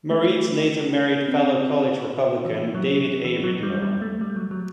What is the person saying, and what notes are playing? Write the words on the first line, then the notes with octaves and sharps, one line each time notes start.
Moritz later married fellow College Republican David A. Ridenour.
A3
C4
E3
F#3
E3
F#3
G3
G3
A3
G3
F#3
F#3